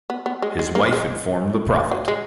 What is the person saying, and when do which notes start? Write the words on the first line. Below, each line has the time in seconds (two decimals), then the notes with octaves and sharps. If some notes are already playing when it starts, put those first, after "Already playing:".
His wife informed the prophet.
0.10 B3
0.26 B3
0.42 G#3
0.59 G#3
0.75 A#3
0.93 G#3
1.91 F#3
2.08 G#3